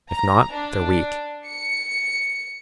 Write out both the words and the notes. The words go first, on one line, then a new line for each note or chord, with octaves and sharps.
If not, they're weak.
A#5
D4
C#7